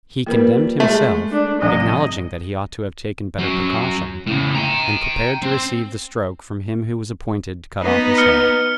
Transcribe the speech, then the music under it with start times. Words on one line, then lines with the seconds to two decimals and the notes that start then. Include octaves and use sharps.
He condemned himself, acknowledging that he ought to have taken better precaution, and prepared to receive the stroke from him who was appointed to cut off his head.
0.27 F3 G3 A#3 A#4 B4
0.80 G#3 A3 G4 G#4
1.31 D4
1.62 A1 C3 F3 G3 D#5 G#5
3.39 F#3 C#4
4.27 A2 C#3
4.55 G5 A#5
5.43 C4
7.80 B3 D#4 B4
8.18 F6 C#7 G7